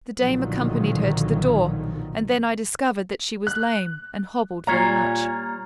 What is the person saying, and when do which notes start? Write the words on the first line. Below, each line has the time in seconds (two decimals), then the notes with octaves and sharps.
The dame accompanied her to the door, and then I discovered that she was lame, and hobbled very much.
0.19 B1 A#2 D3 D#3 F3 F#3
3.47 F#6
4.67 A#2 G3 A#3 C#5 A#5